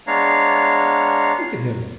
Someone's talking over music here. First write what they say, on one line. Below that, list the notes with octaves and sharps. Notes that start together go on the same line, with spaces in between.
Look at him.
G#3 B3 D4 C#5 F5 A#5